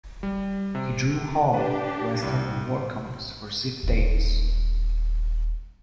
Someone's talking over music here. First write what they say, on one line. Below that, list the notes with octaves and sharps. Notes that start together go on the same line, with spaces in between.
He drew horror, Western and war comics for Ziff-Davis.
G3
C3
D4 G4 B4
C2
D#1 D#4